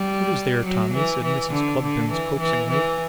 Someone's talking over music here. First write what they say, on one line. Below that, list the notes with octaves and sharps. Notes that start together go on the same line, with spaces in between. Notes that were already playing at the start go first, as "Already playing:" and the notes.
'What is there, Tommy?' said Mrs. Cluppins coaxingly.
Already playing: G3
F#3
E3
E3
D3
D3
E3
E3
E3